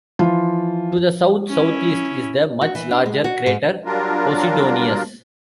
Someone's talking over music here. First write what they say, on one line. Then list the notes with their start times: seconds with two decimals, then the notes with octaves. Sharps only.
To the south-southeast is the much larger crater Posidonius.
0.19 E3 F3 F4
1.49 C#4 E4
2.61 F#4
2.75 E3
2.91 D4
3.06 G#3
3.24 F#4
3.46 G#2
3.85 F#3 G3 D4 F4 A#4